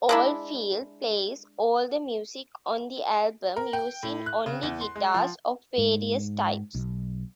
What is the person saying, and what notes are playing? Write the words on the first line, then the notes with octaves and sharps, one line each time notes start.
Oldfield plays all the music on the album, using only guitars of various types.
G#3 D4 E4
A#4
G5
A2
F#6
C#3
E2
C6
G#3
F3
G#2
B1